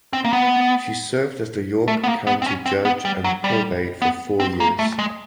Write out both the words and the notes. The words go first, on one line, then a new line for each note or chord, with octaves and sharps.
She served as the York County Judge of Probate for four years.
C4
A#3
B3
A3
B3
A#3
B3
C4
C#4
C4
B3
G3
F#3
G3
B3
C4
A#3
A3
G#3